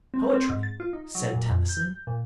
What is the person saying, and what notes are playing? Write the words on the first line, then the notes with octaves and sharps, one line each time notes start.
"Poetry," said Tennyson.
C4
C4
G#2
A6
F4
D#4
F#3
A#2
F2
G6
G6
A#2